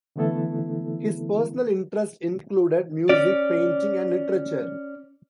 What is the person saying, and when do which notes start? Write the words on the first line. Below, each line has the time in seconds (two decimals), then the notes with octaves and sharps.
His personal interests included music, painting and literature.
0.16 D3 E3 A3 B3 E4 A4
3.09 C#4 D5